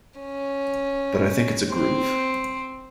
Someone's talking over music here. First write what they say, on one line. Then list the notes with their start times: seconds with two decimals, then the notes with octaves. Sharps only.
But I think it's a groove.
0.20 C#4
1.71 C4